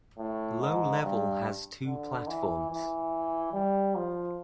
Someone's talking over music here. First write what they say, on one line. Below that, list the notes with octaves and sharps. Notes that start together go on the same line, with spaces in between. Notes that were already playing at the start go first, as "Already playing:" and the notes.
Low Level has two platforms.
A2
G#2
G2
D3
E3
E3
G3
F3